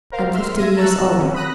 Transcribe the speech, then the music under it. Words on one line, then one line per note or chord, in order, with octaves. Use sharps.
I'm fifty years old.
A#4 C5 F5
E5 C6 F6
E5 G#6 A#6 D#7
A5 A#5 C#6 E6 F#6
D#3 C4 C#4
B5 D#6 F#6 A#6